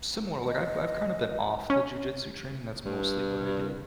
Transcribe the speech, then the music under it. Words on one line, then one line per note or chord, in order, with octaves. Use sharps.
similar, like, I've I've kind of been off the jujitsu training, that's mostly what I did,
D#5
C#4
G2